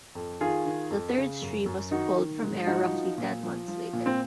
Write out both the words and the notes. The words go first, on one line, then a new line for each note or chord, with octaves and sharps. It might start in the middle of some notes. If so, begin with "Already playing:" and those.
The third stream was pulled from air roughly ten months later.
F2
D#3 F4 G#4
D#3
F2
C#3
F#2
F#2
D#3 D#4 F#4
D#3
G#2
F3 D#4 F#4
F3
A#2
F3
F3
A#2
C4